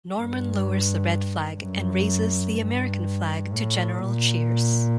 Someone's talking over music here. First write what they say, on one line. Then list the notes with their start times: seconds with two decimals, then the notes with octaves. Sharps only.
Norman lowers the Red flag and raises the American flag to general cheers.
0.17 G2
1.61 F#2
2.56 G2
3.52 A2
3.99 A#2